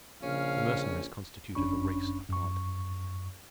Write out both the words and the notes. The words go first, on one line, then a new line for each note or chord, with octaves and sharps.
The Mercenaries constituted a race apart.
A#1 C#3 C#4 F5
G1 F#2 C#4 D4 B5 C#6
F#2 C#6